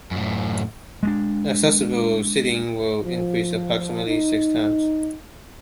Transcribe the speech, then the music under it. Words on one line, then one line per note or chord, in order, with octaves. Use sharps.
Accessible seating will increase approximately six times.
F#2 A2
G#3 A3 D4
F3
D#4